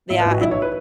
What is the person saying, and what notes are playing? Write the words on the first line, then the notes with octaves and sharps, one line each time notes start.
Yeah, and
A1 E5
B4
A1 F#4
B1 E4
C#5
B4